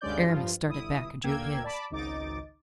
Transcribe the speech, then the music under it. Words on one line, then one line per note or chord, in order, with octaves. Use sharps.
Aramis started back and drew his.
D2 G2 G#3 C#4 D5 G6
G2 F3 F4
G1 E4 D#6
D2 A#3 G5 E6 G#6
D5 A5 B5 D6
G#1 C#2 D#4 D6 A6